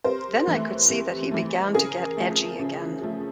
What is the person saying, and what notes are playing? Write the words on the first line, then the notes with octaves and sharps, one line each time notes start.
Then I could see that he began to get edgy again.
C3 A#4 C5
E3 A3
C3
E3 A3
C#3 G#4 A#4
F3 A3
C#3
F3 A3